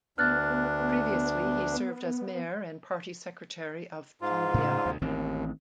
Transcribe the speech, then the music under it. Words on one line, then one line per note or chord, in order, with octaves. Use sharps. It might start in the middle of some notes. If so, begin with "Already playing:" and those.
Previously he served as mayor and party secretary of Tongliao.
D2 B3 D4 F6 F#6 A6
G#2 F4
A2 C#3
D2
A1 D#2 D#3 C4